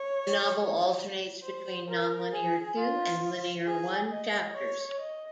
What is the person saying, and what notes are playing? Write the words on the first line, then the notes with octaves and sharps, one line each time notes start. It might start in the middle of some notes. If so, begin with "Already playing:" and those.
The novel alternates between non-linear "Two" and linear "One" chapters.
Already playing: C#5
C5
A#4
G#4
F4
G#4
D#5
C#5
D#5